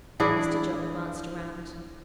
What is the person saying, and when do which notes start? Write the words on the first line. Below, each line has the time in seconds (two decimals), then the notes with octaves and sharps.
Mr. John glanced round.
0.20 E3 D4 E4 G#4